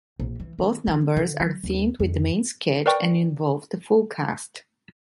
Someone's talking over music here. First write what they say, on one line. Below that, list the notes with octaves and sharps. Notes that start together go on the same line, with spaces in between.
Both numbers are themed with the main sketch and involve the full cast.
A#1
E3
D#3
E3
D3
F#3
D#2
F2
A#4 B4 D5 G5 C#6